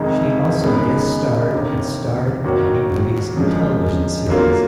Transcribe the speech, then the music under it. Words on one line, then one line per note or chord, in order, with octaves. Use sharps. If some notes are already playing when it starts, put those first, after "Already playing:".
She also guest starred and starred in many movies and television series.
Already playing: F1 F2 D#3 G#3 D#4
F#2 D#3 G#3 B3
F1 D#2 D3
D#2 D#3 F#3 D4 F#4
F#2 D3 F3 G#3
D3 F#3 A#3 F4